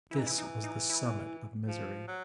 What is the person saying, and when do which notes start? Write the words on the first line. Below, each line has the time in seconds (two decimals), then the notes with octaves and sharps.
This was the summit of misery.
0.11 E3 E4
0.19 D#4
0.27 E4
0.38 D#4
0.64 D#4
0.90 E4
1.68 F3
2.07 F#3